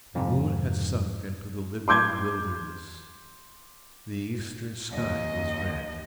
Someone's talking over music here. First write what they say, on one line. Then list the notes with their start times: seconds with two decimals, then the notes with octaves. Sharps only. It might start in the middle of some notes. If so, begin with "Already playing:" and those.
The moon had sunk into the Libyan wilderness; the eastern sky was red.
0.15 F2 G#2 C3
1.88 C6 D6 G6 G#6
4.91 D#2 D#5